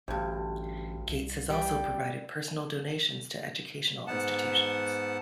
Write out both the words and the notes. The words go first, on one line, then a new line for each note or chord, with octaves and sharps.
Gates has also provided personal donations to educational institutions.
A1 D2 G2
C2
G3
G#2 B3 F#5 A5